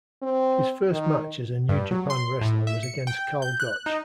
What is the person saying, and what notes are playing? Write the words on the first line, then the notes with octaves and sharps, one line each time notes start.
His first match as a New Japan wrestler was against Karl Gotch.
C4
D#3
G2
F#3
C6
A2
E5
C#7
G5
G6
F#6
D#4